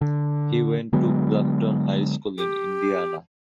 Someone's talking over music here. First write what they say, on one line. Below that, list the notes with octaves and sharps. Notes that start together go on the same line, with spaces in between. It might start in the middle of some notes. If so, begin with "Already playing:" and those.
He went to Bluffton High School in Indiana.
D3
D3 F#3 G#3 B3
G4